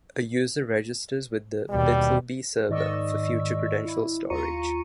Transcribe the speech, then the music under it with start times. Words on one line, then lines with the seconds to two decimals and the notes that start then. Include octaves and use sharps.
A user registers with the BitlBee server for future credentials storage.
1.70 D#2 B2 G3
2.69 G#2 D#3 D5 D#5 C#6 E6
3.85 E4
4.30 D#2 F4 A#5 C#6 C#7 D#7